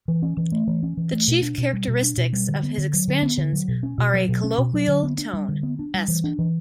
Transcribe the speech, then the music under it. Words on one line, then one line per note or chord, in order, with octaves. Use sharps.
The chief characteristics of his expansions are a colloquial tone, esp.
E3
C#4
E3
A3
E3
C#4
E3
A3
B2
D4
B2
G3
B2
D4
B2
G3
D3
B3
D3
F#3
D3
B3
D3
F#3
B2
C#4
B2
F#3
B2
C#4
B2
F#3
D3
B3
D4
G3
D3
B3
D4
G3
E3
D4
E3